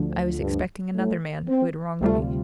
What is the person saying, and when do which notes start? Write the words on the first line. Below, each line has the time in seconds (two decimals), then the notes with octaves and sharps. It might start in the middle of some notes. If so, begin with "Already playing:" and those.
I was expecting another man who had wronged me.
Already playing: D2 D3 F3
0.40 G2
0.95 A2
1.47 C4
2.01 D2 C3 G3 A3 F4